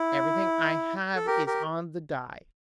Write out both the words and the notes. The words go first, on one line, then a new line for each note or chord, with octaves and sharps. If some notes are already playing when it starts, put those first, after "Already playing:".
Everything I have is on the die.
Already playing: E4
A4
G4 A#4
G4 A#4